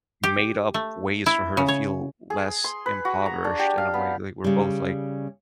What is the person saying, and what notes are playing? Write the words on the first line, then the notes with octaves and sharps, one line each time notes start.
made-up ways for her to feel less impoverished, and I'm, like like, we're both, like
G4
A3
E4
C#3
C#5
G#4
C6
B4
F#4
A#5
D4
G4
F5
B3
C#3 G3